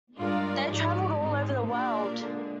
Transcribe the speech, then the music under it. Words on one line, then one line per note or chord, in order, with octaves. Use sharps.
They traveled all over the world.
G2 G#3 D4 F4 A#4 D5
G#2 F3 G#3 D#4 G4 D5
G#2 D3 G#3 C4 D#4 G4
A#2 A#3 D4 G4 A#4 D5
D3 G#3 D4